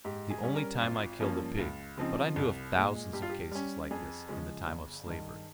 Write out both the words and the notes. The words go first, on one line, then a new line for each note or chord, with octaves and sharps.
That was the only time I killed a pig, but I knew of thousands of cases like this in the time of slavery.
G#2 G4
G#4
G3 C#4
A#4
G#1 F4
G2 F3 A#3 C#4
C#2
C#3 F3 C4 D#4
C2
A#2 G#3
G2 G4
F4
G4
G3 C#4
F2 G#4
C#3 F3 G#3 C#4
G1
G2 D#3